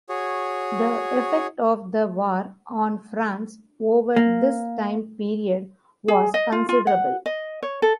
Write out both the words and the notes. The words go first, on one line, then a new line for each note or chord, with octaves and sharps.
The effect of the war on France over this time period was considerable.
F#4 G#4 C#5
A#3
G#4
D#5
F4
F4
F#5
D#5
C#5
A4